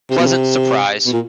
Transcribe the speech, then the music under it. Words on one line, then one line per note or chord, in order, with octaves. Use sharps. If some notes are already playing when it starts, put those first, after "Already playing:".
Pleasant surprise!
C3
B2
C3
B2
A#2